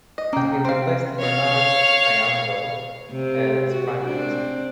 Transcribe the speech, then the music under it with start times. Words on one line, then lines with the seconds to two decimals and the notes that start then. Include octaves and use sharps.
He replaced Bernard Ayandho as prime minister.
0.18 D#5
0.33 C3 A#3 C#4 G5
0.65 C4 F5
1.19 C#5 F5
3.12 C3
3.69 F#4
4.05 C4 D4